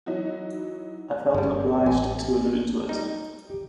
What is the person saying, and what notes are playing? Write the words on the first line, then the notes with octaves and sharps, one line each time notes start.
I felt obliged to allude to it.
E3 F#3 D#4 E4 F#4
G1 G3 G#3 A#3 C#4
A1 G#5
G3 D#4
G4